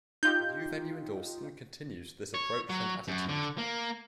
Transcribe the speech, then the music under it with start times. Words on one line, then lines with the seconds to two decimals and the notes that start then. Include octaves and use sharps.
The new venue in Dalston continues this approach and attitude.
0.23 D#4 F4 G4 G6
2.34 C#5
2.70 F#3
3.08 F#2
3.29 D3
3.58 A#3